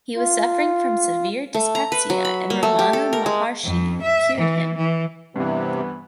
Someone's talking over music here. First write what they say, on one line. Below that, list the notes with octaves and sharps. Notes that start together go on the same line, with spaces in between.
He was suffering from severe dyspepsia and Ramana Maharshi cured him.
F4
A3
A#5
B4
F#3
B5
A#3
A3
G4
A4
A#4
G#3
F2
E5
E3
E3
G2 C3 E3 B3